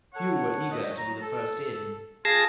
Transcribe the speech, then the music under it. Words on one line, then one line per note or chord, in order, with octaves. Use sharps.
Few were eager to be the first in.
A4 C#5 F#5
C#2 A3 D#5
F#3 A#5
A4
F4 G#4 A5 A#6